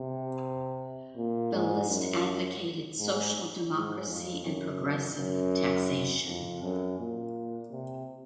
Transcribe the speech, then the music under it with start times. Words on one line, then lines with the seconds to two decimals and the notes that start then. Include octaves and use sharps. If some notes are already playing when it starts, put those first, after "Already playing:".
The list advocated social democracy and progressive taxation.
Already playing: C3
1.17 A#2
1.53 G#2
1.89 F#2
2.99 G#2
3.72 G#2
4.07 F2
4.44 F#2
5.16 F#2
6.26 F2
6.62 F#2
6.99 A#2
7.71 C3